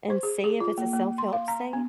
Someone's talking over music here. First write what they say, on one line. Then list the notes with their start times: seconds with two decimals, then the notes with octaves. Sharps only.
and see if it's a self-help state
0.10 C5
0.23 G#4
0.44 G#4
0.60 F4
0.78 A#3
0.93 A#3
1.18 C6
1.33 F5
1.48 A#5
1.73 B3